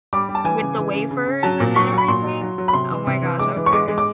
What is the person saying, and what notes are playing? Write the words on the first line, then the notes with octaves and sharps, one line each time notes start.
With the wafers, and and everything? Oh my gosh, okay.
G3 D6
G3
A5
E3 G#5
C#3
E3
C#3
C#3
C#3
F#3 A5
A#2
F#3 C#6
F#3
B5
A#2 C6
F#3
F#3
F#3
B5
C3 C6
E3
C3
E3
G#3 D6
E3
C#6
G#3 D6
G#3
D6